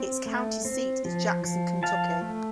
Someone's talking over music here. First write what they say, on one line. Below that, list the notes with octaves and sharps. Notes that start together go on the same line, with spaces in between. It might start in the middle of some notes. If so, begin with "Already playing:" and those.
Its county seat is Jackson, Kentucky.
Already playing: C4
A3
C4
F3
F3
F3 F5 A5
A3